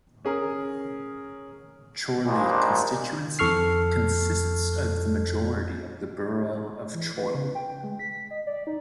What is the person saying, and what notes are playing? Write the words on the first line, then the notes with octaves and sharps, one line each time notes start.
Chorley constituency consists of the majority of the borough of Chorley.
C#4 G#4 A#4
A#1 A#2 F3 G3 G#3
F2 A4 C#6 F6 C7
E3
B4
C#3
G5
G#3
B6
D#5
D5
D#4